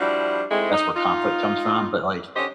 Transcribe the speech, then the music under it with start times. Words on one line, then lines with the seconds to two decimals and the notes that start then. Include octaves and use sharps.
that's where conflict comes from, but like
0.01 F3 G3 D4 E4 F#4
0.50 G#2 G#3 A3 C4 E4
0.72 D#4
0.97 D#4 F4
2.35 D3 C#4 G4 C5 D#5